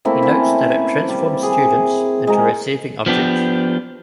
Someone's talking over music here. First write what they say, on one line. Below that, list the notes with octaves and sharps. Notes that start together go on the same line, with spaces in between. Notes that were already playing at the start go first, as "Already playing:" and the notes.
He notes that it transforms students into receiving objects.
A3 A#3 C4 E4
C4 C#4 E4
G3
G#4
G#3 C4 A#5 D6
F3 B3 D4 G4